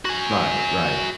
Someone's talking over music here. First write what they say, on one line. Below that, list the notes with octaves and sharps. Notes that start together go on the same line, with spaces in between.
Right, right.
F#4 G#5